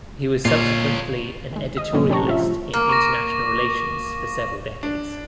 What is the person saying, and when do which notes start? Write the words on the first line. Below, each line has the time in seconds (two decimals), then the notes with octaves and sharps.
He was subsequently an editorialist in international relations for several decades.
0.45 A#2 F4 C#5
1.52 D#3 G#3
1.77 D#5 D#6
1.92 A2 C3 E3 F#3 A#3 C#4
2.09 D4 G4 C#5 A5 A#5 C#6
2.25 G3 A3 F4 E5
2.40 F3
2.74 A#3
2.89 C#6 D6 A#6
4.83 D4